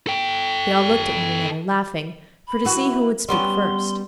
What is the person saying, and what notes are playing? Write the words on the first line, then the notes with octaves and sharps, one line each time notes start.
They all looked at one another, laughing, for to see who would speak first.
A4 G5
B5
E3 F#4
G3 B3 C#4 C6